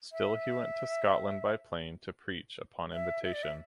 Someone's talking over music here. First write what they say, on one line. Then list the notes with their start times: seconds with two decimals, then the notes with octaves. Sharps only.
Still he went to Scotland by plane to preach upon invitation.
0.12 E5
2.93 E5
3.24 E5
3.33 D5
3.43 E5